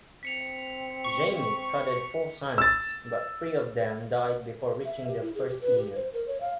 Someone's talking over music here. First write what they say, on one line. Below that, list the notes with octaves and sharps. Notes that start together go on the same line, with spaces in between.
Jami fathered four sons, but three of them died before reaching their first year.
C4 B6 C#7 F7
C#6
E6 A6
E5
G4
E4
G#4
G4
B4
G4
C5
A#4
C#5
F5